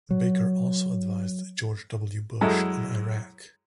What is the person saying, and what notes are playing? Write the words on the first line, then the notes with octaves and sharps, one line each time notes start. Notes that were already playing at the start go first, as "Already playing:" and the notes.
Baker also advised George W. Bush on Iraq.
F#3
F#2 G#3 E4 A4